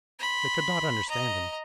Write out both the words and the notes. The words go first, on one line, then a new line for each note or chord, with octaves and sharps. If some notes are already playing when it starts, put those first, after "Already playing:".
They could not understand him.
B5 C6
D#5 A#5